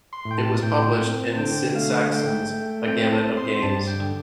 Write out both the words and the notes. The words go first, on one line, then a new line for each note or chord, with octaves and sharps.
It was published in Sid Sackson's A Gamut of Games.
C6
A2
G5
A5
A2 G5
C4
D3 G5
A3 F5
A3 G5
A3
C4 G5
A5
C4
C6
G2 A5
G5
D3